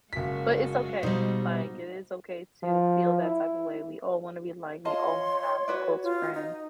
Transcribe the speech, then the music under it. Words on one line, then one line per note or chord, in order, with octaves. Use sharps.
but it's okay. Like, it is okay to feel that type of way. We all want to be liked; we all want to have a close friend.
F#1 G#3 F4 F#4 B6
B2 G3 D#4 C5
F3
E4
F4 C#5 D#5 A5 C6
F#4 B4 D5
F4
D#4